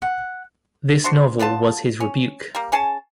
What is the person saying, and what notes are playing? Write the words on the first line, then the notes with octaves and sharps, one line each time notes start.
This novel was his rebuke.
F#5
D4 F#4 C5 C6
D3 B3 F4 A5
C#4
G3 A#3
C#4 G#4 G#5 A5